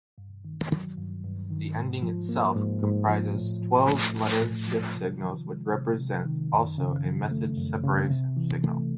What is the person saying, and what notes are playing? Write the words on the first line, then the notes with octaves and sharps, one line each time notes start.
The Ending itself comprises twelve letter shift signals which represent also a Message-Separation Signal.
G2
D#3
F#3
G2
G2
D#3
G#2
F3
A#3
G#2
G#2
F3
A2
F3
A3
A2
A2
F3
C3
D#3
G#3
C3
C3
D#3
F#2
C#3
F3
A3
F#2
C#3
C3
E3
A3